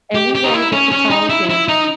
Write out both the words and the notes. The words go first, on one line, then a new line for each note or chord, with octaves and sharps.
and we were able to talk, and
G4
G4
D#4
E4
C#4
C#4
D#4
E4
E4
D#4